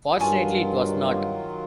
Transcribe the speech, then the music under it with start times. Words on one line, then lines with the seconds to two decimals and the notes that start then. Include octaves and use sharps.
Fortunately, it was not.
0.20 G2 D#3 F#3 F4 G#5 A5 C#6